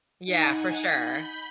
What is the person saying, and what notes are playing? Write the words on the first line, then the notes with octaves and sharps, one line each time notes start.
Yeah, for sure.
D#4 F#5 G#5
B5 G6